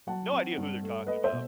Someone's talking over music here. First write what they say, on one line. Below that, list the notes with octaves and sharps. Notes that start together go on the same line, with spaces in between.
No idea who they're talking about.
F#3 F#5 A5
C4
G2
A3
A3 B4 D#5
C5 E5
B2